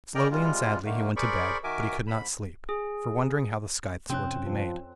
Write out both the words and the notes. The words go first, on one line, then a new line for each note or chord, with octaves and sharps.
Slowly and sadly he went to bed, but he could not sleep, for wondering how the scythes were to be made.
G#4 A#4 D5 D#5 G5 A#5
C3 G3 G#3 F4
D3 D#3 A3 A#3
G#4 A#4 C5 D5 B5 C#6
D#3 F#4 A#4 E5 G#5 D6
G#2 B5
G#4
F2 C3 C4 C#4 F#6
F3